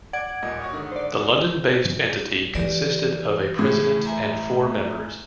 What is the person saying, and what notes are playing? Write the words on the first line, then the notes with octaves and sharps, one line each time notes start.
The London-based entity consisted of a president and four members.
D5 F#5 G#6 D7
D#1 A#2 D#5
F#4 C#5 D#5
G#2 D3 D#3
C5 D5
E3 G4 D5
A2 G#4
E5 G#5 A#5